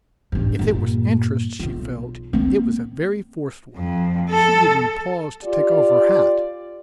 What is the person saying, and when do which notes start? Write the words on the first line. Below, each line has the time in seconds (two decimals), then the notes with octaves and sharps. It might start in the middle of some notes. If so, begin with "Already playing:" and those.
If it was interest she felt it was a very forced one. She even paused to take off her hat.
0.32 A1 G2
0.59 G2 A#2
1.59 B1 F4
2.33 A#3 C4
3.76 F2
4.30 A4
5.44 F4 G4 D5